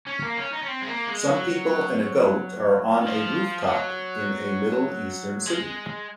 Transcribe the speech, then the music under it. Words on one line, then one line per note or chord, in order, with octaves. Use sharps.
Some people and a goat are on a rooftop in a middle eastern city.
C#4
A#3
C#4
D#4
C#4
C4
G#3
A#3
G#3
F#3
D#3
F3
F#3
G#3